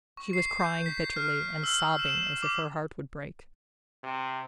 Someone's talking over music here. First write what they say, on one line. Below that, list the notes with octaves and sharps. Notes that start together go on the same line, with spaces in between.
She was crying bitterly, and sobbing as if her heart would break.
C#6
C7
G6
B6
F6
E6
E7
D6
C3